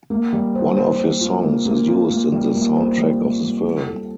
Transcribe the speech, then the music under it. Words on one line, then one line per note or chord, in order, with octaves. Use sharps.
One of his songs is used in the soundtrack of the film.
A#3
G3
C5
C5
C5
F4
A#3
A#3
F4
A#3
G3
A#3
C5
G3
G3
G3
F4
A4